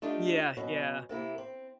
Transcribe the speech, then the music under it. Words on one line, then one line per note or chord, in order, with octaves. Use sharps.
Yeah, yeah.
A3 D4 D#4 F4 G4
B2 F#3 C#4
C3 A#3 E4 G4
C4